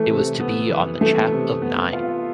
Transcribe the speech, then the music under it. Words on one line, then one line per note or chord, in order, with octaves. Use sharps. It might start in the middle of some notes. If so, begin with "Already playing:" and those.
It was to be on the chap of nine.
Already playing: E3 A3
C3
B3
E3
E3 A3
C3
B3
F4